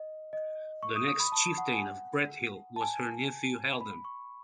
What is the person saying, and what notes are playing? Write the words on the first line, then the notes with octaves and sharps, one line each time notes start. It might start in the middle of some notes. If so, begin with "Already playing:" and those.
The next Chieftain of Brethil was her nephew Haldan.
Already playing: D#5
D#5
C#6
D#6
D#6
B5
A5
F#5
G#5
F#5
A5
G#5
B5
C#6